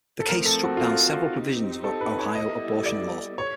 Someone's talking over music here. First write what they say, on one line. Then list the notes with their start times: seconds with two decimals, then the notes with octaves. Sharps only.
The case struck down several provisions of an Ohio abortion law.
0.20 A4
0.29 F3 A3 C4 A#4
0.46 A4
0.64 F#4
0.77 F4
0.80 F#4
1.32 C4 D#4 G4
1.84 A4
2.01 B4
2.18 C#5
2.35 G3 B3 E4 A4 D#5
2.86 D5
3.38 C#5